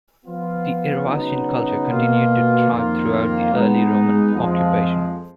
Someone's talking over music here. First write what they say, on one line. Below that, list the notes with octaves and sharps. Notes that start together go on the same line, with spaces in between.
The Eravascian culture continued to thrive throughout the early Roman occupation.
F3 B3 F4
C#3 F#3 B3 D#4
B2 A#3 F4
F2 D#3 A#3 F4
G#3 B3 D#4
F2 F3 G#3